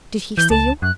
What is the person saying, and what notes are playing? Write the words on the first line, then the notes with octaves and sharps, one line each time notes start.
"Did he see you?"
E3 G6
C#2 A5
F#2 F#6